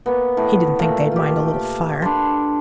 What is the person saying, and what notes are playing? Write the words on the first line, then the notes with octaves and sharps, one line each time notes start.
He didn't think they'd mind a little fire.
A#3 B3
A2
A#2 A3 G5
F4 G4
D4 B5 C6